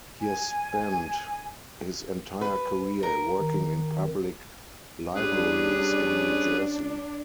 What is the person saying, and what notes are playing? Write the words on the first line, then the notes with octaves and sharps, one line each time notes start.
He has spent his entire career working in public libraries in New Jersey.
G#5
B4
A#4
D#3
G3 C#4 D4 G#4 B4